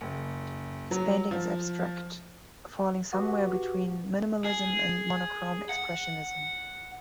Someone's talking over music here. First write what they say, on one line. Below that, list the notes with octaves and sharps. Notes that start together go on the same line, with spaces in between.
His painting is abstract, falling somewhere between minimalism and monochrome expressionism.
F#1
F#3
F3
B3 F#4 G4
G#4
F#5